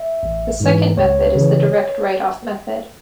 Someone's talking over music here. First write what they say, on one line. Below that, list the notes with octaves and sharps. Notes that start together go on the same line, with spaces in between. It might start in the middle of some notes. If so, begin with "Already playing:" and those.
The second method is the "direct write-off method".
Already playing: E5
A1
G#2 E3
C#2 C#5
C#3 E3